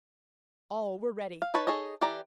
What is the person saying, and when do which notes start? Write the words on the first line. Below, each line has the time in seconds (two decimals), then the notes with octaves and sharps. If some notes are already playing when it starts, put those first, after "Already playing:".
All were ready.
1.42 F5
1.54 D#4 B4 C#5 A5 B5
1.67 D#4 G#4 A4 C#5 D#5
2.01 E3 G4 A4 D5 A#5